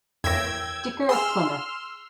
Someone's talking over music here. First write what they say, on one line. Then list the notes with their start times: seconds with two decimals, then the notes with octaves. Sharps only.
Dicker of Plymouth.
0.24 F2 E3 A#3 C#5 G5 E6 G#6 A#6
1.09 G#4 C6 E6 F6